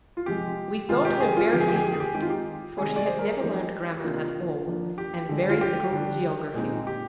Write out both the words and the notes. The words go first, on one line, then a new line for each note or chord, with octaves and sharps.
"We thought her very ignorant, for she had never learnt grammar at all, and very little geography."
F4
C3 F3 G#3 G4
C3 D#3 G#3 C4 D#4 F4
G4
G#4
F4
D3 F3 G#3 C4 G4
G#4
G4
G#4
G4
G#4
G4
D#3 G#3 C4 D#4 G4
F4
G4
C3 D#3 G#3 C4 G#4
D5
C5
A#4
G#4
F3 G#3 D#4 G4
G4
C3 D#3 A#3 D4 F4
F3 A#3 D4
G4
D3 G#3 D4
F4
G4
D3 G3 D4
A#2 G#3 C4 D#4
G4